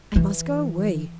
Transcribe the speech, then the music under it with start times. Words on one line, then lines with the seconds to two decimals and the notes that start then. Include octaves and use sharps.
I must go away.
0.16 E3